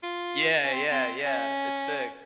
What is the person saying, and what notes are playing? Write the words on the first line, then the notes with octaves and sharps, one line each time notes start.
Yeah, yeah, yeah, it's sick.
F4
C#4
C4
C4
C#4